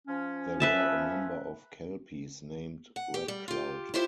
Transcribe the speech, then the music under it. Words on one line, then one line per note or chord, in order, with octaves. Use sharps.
There were a number of Kelpies named Red Cloud.
F3 C#4
B4 E5 A5
F#5
G4
G3
F4 G4
E4 F4 G4 C5 C#5 E5